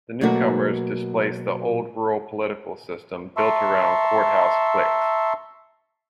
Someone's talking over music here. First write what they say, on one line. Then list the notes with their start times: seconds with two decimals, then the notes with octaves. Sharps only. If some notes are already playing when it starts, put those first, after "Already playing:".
The newcomers displaced the old rural political system built around courthouse cliques.
0.21 B2 F#3 A3 A#3 F#4
3.37 E5 A5 A#5 C6 C#6 E6